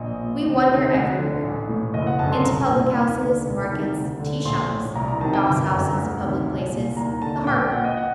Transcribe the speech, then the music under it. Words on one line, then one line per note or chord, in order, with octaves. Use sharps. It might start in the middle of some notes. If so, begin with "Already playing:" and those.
We wander everywhere: into public houses, markets, tea-shops, doss-houses, public places, the harbour.
Already playing: A#1 D#5
A#2
D2
C3 D#3
D2 F#5
D3
A1
A2
F#1 D#5
F#5
F#2 D3 A5
C6
C2 A#5
A#2
D#2
D3
C2
C3 D#3
D2
D3
A#1 C6
A2
C2 A#5
A#5
C3 D#3 A5
G5
G1 G5
F#2 D3 A#5
D2
C3 D#3
C2
A#2
D#2 A#5
D3 A5
A#1 G5
G5
A#2 F#5
D#5
F#5